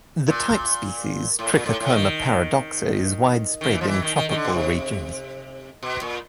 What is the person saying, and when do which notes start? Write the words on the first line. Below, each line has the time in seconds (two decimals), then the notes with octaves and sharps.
The type species, Trichocoma paradoxa, is widespread in tropical regions.
0.27 A#2
1.39 A2
1.52 A#2
1.66 A2
1.81 A2
1.94 D#3
3.61 D#3
3.74 E3
3.81 F3
3.88 E3
4.02 D#3
4.16 D#3
4.29 D#3
4.35 D3
4.45 B2
4.52 C3
5.83 B2
6.02 A#2